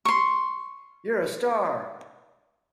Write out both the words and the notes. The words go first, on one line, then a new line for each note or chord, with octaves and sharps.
You're a Star!.
C6 C#6